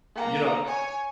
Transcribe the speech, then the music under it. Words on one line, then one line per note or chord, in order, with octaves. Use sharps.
you know
A#3 A#5
C#5 G#5